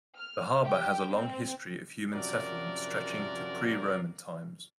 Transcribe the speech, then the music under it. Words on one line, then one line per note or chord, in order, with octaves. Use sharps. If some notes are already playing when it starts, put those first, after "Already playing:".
The harbour has a long history of human settlement stretching to pre-Roman times.
F6
G4 G5
C4
F#2 C3 F3 F#3 A#4 D5